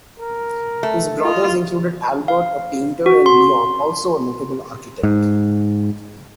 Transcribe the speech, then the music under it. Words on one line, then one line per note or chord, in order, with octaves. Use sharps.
His brothers included Albert, a painter, and Leon, also a notable architect.
A#4
A3
F4 D#5
F5
F#4
C6
G#2